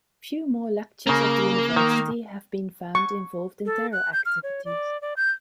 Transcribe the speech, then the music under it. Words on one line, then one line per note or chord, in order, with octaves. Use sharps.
Few more lectures of the University have been found involved in terror activities.
C#3 A#3 A#5
D#3
C#6
A4
F#6
G6
F6
C#5
D5
D5
G6